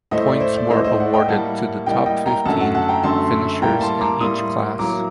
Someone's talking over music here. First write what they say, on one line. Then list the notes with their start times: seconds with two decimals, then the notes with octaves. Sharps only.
Points were awarded to the top fifteen finishers in each class.
0.11 A2 A3 C5 D#5
0.27 D5
0.41 C5
0.56 D5
0.70 A2 C5 D#5
0.75 A3
0.84 C5 D#5
1.00 D5 F#5
1.13 D#5 G5
1.28 A2 G3 A#3 F#5 A5
1.86 A2 G3 A#3 D#5 G5
2.06 D#5 G5
2.26 G5 A#5
2.45 F#2 D3 A3 F#5 A5
2.60 F#5 A5
2.75 F#5 A5
2.89 G5 A#5
3.03 F#2 D3 A3 A5 C6
3.62 A2 G3 A#3 G5 A#5
3.81 A5 C6
4.01 A#5 D6
4.20 A2 G3 A#3 C6 D#6
4.79 A2 F#3 A#3 A#5 D6